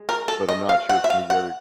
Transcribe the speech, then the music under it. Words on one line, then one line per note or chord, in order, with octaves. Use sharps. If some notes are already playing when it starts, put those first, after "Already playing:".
but I'm not sure if any of the other
Already playing: G#3
A#4
A4
D#5
F5
F#5
E5
F5
F#5